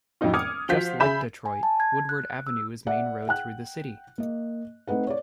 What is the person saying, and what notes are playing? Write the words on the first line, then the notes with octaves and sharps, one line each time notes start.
Just like Detroit, Woodward Avenue is the main road through the city.
F2 A2 F#3 D#4 F4
D6 D#6 F6 G#6 C#7
F3 F#4 C5 F5 G6 B6
C#3 G#4 E5 B5 G6 E7
G#5
A5
G#6
F#6
F#6
E6
D5 E5 F#5
F#5 G5 F#6
A#3 D#5
A3 C4 D#4 B4 F#5
C#5 D5